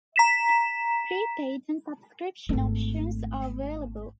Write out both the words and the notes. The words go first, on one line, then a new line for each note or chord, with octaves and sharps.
Pre-Paid and Subscription options are available.
A#5 B6 E7
G#1 A3